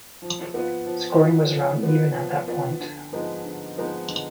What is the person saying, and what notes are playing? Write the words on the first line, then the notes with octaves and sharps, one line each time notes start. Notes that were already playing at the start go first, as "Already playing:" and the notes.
Scoring was around even at that point.
F3
B3 F4 B4
F3
B3 F4 B4
F3
B3 F4 B4
F3
B3 F4 B4
D3
F3 G#3 B3 D#4
D3
F3 G#3 B3 D#4
D3